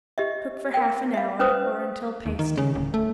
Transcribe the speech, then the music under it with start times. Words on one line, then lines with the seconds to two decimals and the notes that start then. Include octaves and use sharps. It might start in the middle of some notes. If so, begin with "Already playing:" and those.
Cook for half an hour or until pasty.
0.18 G4 D#5 E5
0.74 A#4 G5
1.14 E5 F5
1.39 C#4 B4 C5 D#6
2.26 D#2
2.39 D#3
2.57 C#3
2.75 D1
2.94 A3